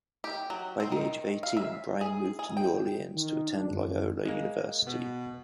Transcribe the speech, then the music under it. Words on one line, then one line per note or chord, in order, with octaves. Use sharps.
By the age of eighteen, Brian moved to New Orleans to attend Loyola University.
G4
F#3
C4
D#3
F5
E5
G#4
G#4
G5
D#3
D4
F#2
G#3 A#3
B2 B3